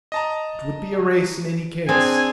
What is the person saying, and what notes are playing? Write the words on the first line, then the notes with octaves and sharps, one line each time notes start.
It would be a race, in any case.
D#5 A5 A#5
C4 D4 G#4 G#5